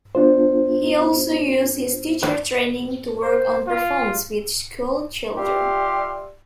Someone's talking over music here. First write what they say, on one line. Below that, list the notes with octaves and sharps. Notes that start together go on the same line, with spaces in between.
He also used his teacher training to work on performances with schoolchildren.
B3 D4 F4 C5
C5
F4
G3 F4 G4 E5 C6